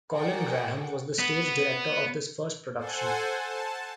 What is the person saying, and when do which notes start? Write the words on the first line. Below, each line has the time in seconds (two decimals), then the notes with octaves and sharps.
Colin Graham was the stage director of this first production.
0.14 F#4 G#4 A#4 D5 F#5 G5
1.19 B3
2.77 A4 C5 F#5 G#5
3.31 A5